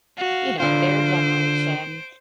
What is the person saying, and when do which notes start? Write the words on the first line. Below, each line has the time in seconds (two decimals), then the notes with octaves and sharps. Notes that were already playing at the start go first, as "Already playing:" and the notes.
you know, their generation,
0.18 F#4 F5
0.60 D3 F4 C5 D7